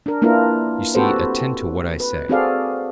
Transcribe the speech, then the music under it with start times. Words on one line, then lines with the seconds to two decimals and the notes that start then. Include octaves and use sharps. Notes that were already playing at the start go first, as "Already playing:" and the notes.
You see, attend to what I say.
0.06 D4 A#4
0.22 A#3 D4 E4 F4 A#4 B4
0.95 C4 F#4 G4 A4 B4 C5
2.00 B4
2.29 C4 F#4 G#4 A4 D5 F5